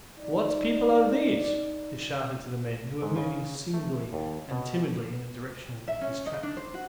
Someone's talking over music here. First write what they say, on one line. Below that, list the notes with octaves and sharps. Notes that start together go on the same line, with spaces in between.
"What people are these?" he shouted to the men, who were moving singly and timidly in the direction of his trap.
D#4 D5
G#2
C#3
A3
D#2
B2
E5
C#4
D#5
D4
C5
F#4